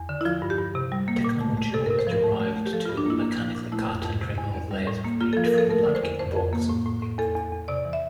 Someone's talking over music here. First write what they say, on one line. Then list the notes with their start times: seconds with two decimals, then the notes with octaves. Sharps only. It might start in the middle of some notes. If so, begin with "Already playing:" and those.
Technology was derived to mechanically cut and remove layers of peat from blanket bogs.
Already playing: E2
0.09 D3
0.21 E4
0.25 F3 F4
0.42 G2
0.50 G4
0.58 G2
0.75 C3
0.92 G3
1.08 A#3
1.24 A#2
1.41 A3
1.57 A3
1.74 C3 A4
1.86 A#4
1.91 C3
1.99 C5
2.07 F3 A#4
2.24 A3
2.40 A3
2.57 A3
2.66 G4
2.73 F3 A4
2.86 F4
2.89 G2
2.97 D4
3.06 A#3 E4
3.22 A#3
3.39 F3
3.55 A#2
3.72 A3 E4
3.89 F2
4.05 F2
4.21 C3
4.38 E2
4.55 E2
4.71 G3
4.87 A2
5.05 A#3
5.21 A#3 F4
5.33 A4
5.37 F3
5.46 A#4
5.54 F3 A4
5.70 A3 A#4
5.86 D3
5.95 C5
6.03 E2
6.19 F2 C5
6.37 F2
6.53 A#3
6.69 A2
6.86 A2
7.02 A2
7.18 E2 A4
7.35 E2
7.52 E2
7.68 C3 D5
7.85 E3
7.93 E5